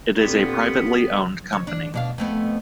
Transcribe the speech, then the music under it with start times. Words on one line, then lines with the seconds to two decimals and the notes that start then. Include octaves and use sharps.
It is a privately owned company.
0.21 A#2 D3 B3 C4 F4 G4
1.53 C#5
1.67 D4
1.94 B2 D4 F5
2.18 F2 A3 B3